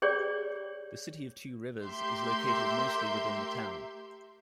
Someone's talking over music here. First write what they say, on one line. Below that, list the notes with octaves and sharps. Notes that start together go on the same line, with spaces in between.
The City of Two Rivers is located mostly within the town.
G4 G#4 C#5 D5
A3 G4 A#4 E5 C6 G6